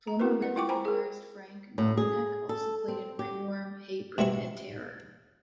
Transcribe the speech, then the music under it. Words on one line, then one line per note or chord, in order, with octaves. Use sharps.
Former rhythm guitarist Frank Novinec also played in Ringworm, Hatebreed, and Terror.
A#5
C4 E4 F#4 A#4 B4
B4 F#5
E4 F4 G5 C#6 D6
C5 G5 G#5 A#5 B5
G#4 A#4
A2
G#4
A4
C4
G4
B2 G#3 C4 E4 C#6